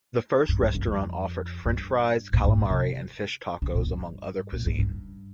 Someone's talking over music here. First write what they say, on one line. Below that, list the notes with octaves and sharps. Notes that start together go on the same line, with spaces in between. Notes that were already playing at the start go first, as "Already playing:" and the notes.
The first restaurant offered French fries, calamari, and fish tacos, among other cuisine.
G2
F2
G2
F2
G2
A#2
G#2
A#2
C3
D3
A#2
G2
A#2
G#2
G2